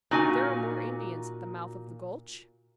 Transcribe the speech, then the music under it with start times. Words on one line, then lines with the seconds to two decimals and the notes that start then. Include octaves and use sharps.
"But there are more Indians at the mouth of the gulch?"
0.11 A#2 D#4 F#4 G#5